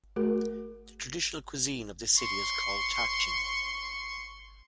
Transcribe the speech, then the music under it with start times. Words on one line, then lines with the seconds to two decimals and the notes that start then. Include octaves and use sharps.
The traditional cuisine of the city is called Tahchin.
0.16 A3 F#4 G#4 A#4
2.17 C6 C#6